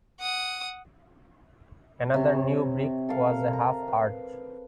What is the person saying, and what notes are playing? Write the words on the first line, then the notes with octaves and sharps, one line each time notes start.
Another new brick was a half arch.
F#5 D#6
C3 C#5
A4 A#4 F5
A#5
B4